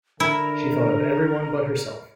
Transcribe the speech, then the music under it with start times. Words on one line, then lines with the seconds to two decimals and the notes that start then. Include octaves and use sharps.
She thought of everyone but herself.
0.20 D3 E4 A#4